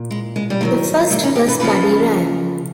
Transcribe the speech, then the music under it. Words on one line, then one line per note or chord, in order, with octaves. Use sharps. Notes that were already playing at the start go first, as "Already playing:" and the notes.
The first was Buddy Ryan.
Already playing: A#2
G#3
G#3
G3
G#2 D#3 F#3 G#3
G3 A3
C#4 D#4
G4 A4
A4 B4
F2 C#3 F3 A4 B4